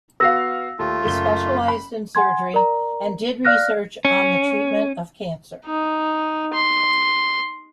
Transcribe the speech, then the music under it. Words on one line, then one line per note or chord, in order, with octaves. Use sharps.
He specialised in surgery and did research on the treatment of cancer.
B3 F#4 F5 E6 A#6
D#2 A3 F4
F#1 G7
B5
F#5 G#5 C6 G#6
A#4 D5 A#5
D5 F5 F6 F#6 A#6
C#4
D#4
C6